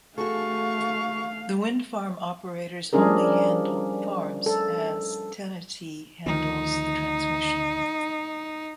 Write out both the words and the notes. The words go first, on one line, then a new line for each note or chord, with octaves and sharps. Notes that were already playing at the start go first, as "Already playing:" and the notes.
The wind farm operators only handle the farms, as TenneT handles the transmission.
A3 F#4 G#4 A4 F5 C#6
F3 G3 C#4 D4 G#4 A#4
A4
D2 D#3 F3 D#4